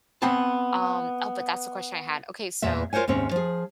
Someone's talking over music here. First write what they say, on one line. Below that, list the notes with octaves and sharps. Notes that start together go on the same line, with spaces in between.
um oh, but that's the question I had, okay, so
B3 C4 A5
E2 A#2 E5
F4 A#4 C5 C#5 G#5
D#2 G#2 C3 C4 C#4
F3 G#4